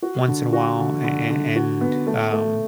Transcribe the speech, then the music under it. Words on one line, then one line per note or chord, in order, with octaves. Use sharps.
once in a while an an and, um
F#4
D3
F#4
D3
D3
D3
F#4
B3
A3
A3